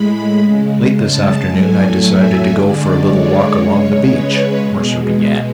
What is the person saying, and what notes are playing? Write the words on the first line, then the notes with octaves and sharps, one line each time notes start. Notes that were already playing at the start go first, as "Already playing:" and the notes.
"Late this afternoon I decided to go for a little walk along the beach," Mercer began.
Already playing: A2 G#3 B5
C#3 G#3
A5
A2 F#3 A3 G#5
E5
D3 G#3 D5
C#5
C#3 G#3 C#5
B4
B2 G#3